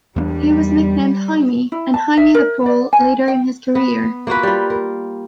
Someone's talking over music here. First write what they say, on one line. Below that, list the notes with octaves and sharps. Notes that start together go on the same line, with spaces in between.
He was nicknamed "Hymie" and "Hymie the Pole", later in his career.
E2 G3 A3 D4
E4
A5
E5
A#4
D5
G#5
G5
B3
A#3 F4 F#4 B4
G3 F4
A#4